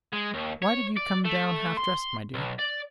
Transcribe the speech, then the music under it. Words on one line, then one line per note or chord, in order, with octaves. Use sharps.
"Why did you come down half-dressed, my dear?"
G#3
D#2
C#5
D5
A3
C6
B1
D5